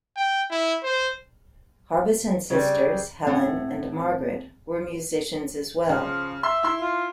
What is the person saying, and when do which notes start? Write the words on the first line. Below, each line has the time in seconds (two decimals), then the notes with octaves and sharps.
Harbison's sisters Helen and Margaret were musicians as well.
0.16 G5
0.50 E4
0.83 C5
2.50 C#3 G3 C4
3.27 A2 A3 C4 F#5
5.89 C#3 F3
6.43 E5 C6
6.63 E4 C6
6.81 F4